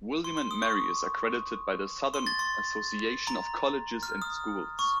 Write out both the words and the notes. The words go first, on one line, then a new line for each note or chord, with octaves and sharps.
William and Mary is accredited by the Southern Association of Colleges and Schools.
C6
C6
D#6
C#6
C6
A6
C6
A#5
F6
D#6
C#6